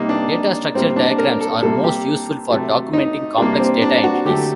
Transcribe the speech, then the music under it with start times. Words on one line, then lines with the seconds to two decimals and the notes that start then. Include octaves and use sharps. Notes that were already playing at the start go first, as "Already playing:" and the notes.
Data structure diagrams are most useful for documenting complex data entities.
Already playing: C3 G3 A#3 D#4
0.09 D4
0.75 A2 G3 A#3 C4
0.96 D4
1.18 A#4
1.41 A4
1.62 C3 G3 A#3 A4
1.84 G4
2.50 C3 F#3 A3
2.93 D#4
3.38 C3 G3 A#3 D4
3.60 C4
3.82 D4
4.04 F#4
4.25 D3 F#3 A3 G4